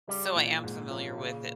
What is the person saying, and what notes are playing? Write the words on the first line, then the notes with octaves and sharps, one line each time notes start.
So I am familiar with it
C#3 G3
A#2 E3 A#3 F4
G#2
F3 A#3 C#4
C#3